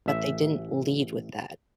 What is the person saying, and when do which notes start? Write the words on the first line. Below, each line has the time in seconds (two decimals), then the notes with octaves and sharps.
but they didn't lead with that.
0.06 A1 E5